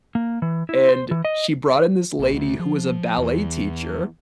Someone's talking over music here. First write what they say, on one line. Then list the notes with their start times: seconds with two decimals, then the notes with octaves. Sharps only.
and she brought in this lady who was a ballet teacher,
0.15 A#3
0.42 E3
0.69 E4
0.89 C5
1.11 E3
1.25 D#5
2.19 A#1
2.33 D2
2.59 F3
3.18 E2